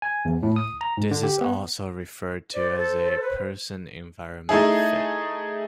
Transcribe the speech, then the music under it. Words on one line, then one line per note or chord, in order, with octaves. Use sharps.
This is also referred to as a person-environment fit.
G#5
E2
A2
D#6
A#5
G#2
D3
G4
B3
C5 D5
A4
B4
A3 D#4 E4 G#4